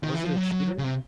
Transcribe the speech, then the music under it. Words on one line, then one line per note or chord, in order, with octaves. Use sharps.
was it a shooter?
D#3
E3
F3
F#3
F#3
C#3
C3